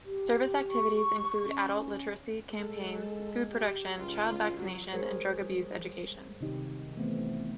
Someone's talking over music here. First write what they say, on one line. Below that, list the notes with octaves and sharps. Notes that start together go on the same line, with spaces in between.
Service activities include adult literacy campaigns, food production, child vaccination and drug abuse education.
G4
C#6
C#4
G#3 A4
G4
C#2 F4
F#3
G#3 G#4 A#4 C5 C#5
G3
C3 D#3 D#4 G4
E3 A3 B3 C4